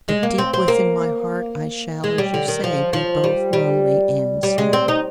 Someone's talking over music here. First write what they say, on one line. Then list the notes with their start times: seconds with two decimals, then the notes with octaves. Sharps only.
But deep within my heart I shall, as you say, be both lonely and sad.
0.08 G#3
0.23 A#3
0.38 C4
0.53 C4
0.68 A#3
2.04 G#3
2.18 G3
2.34 D3
2.48 D#3
2.64 F3
2.93 F3
3.24 G3
3.53 G3
4.43 G3
4.58 G#3
4.73 C4
4.88 D#4